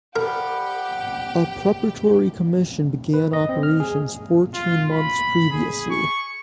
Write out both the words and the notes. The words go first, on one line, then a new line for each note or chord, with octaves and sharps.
A Preparatory Commission began operations fourteen months previously.
F3 G3 G4 A#4 F#5 G5
B4
D#5
C4
F6
G#4
F4
B5
G#4
C#6